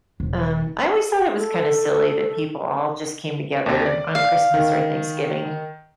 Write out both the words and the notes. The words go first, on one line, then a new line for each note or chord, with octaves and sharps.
um, I always thought it was kinda silly that people all just came together on Christmas or Thanksgiving,
E1
A4
D#2 C3
D5
F5
D#3